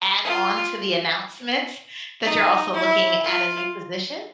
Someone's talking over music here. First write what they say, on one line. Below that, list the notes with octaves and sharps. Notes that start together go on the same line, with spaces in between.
add on to the announcements that you're also looking at a new position?
F4
D#4
E4
F4